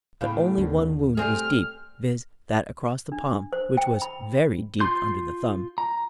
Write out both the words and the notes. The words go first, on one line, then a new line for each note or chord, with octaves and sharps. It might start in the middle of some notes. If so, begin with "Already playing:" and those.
But only one wound was deep, viz. that across the palm, which was very deep under the thumb.
E2 A2 C#3 F5 B5
D#2 D3
G3 A3 C4 G#4 A4 F6
D4
C5
G5
B5
F4 C6 G6
A#5